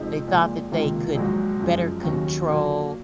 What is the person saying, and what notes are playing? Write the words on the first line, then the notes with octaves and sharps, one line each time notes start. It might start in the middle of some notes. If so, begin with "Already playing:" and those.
They thought that they could better control
Already playing: F2 C3 F3 G#3 D#4
A#1 A#2 G#3
C#2 C3 D#3 A#3 F4
A#1 G#2 F#3
F#2 F3 G#3
D#2 D#3 F#3 C#4
A#2 F#3 A#3